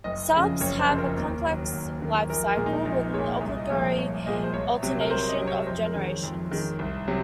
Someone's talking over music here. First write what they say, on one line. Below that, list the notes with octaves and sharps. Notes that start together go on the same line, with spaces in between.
Salps have a complex life cycle, with an obligatory alternation of generations.
F#1 D#5
F2 C#3
F#1 C#5
C5
F2 C#3
A#4
D#2
D#3 F#3
D#2
D#3 F#3
A#1 A#4
A#4
A#2 G#3
D#4
A#1 D#4
A#2 G#3 C#5
C2
D#5
A#2 F3 G#3 C#5
D#5
C2 C#5
A#2 F3 G#3 D#5
C5
C2 C#5
C3 F#3
A#4
C2 C5
D#5
C3 F#3
C#5
F2 C5
A#4
D#3 G#3
C#5
F2
D#3 G#3
C2
C3 F#3